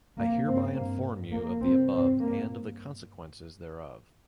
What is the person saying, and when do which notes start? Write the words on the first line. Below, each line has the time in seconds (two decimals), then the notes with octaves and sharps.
I hereby inform you of the above and of the consequences thereof.
0.17 F2 C3 A#3
0.46 G2 C4
0.74 G2 A#3
1.04 G2
1.32 F2 C3 A#3
1.61 F2 C3 C4
1.89 G2 C4
2.19 G2 A#3